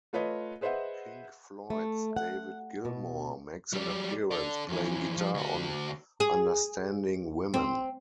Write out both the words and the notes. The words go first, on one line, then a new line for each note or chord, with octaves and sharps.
Pink Floyd's David Gilmour makes an appearance playing guitar on "Understanding Women".
A3 F4 B4 C#5 D#5
G#4 B4 C5 D#5 E5 F#5
A3
F#5
B2
F#3 G3
A4 D5
F2 E3
F3
D2 F#4
G#4
C4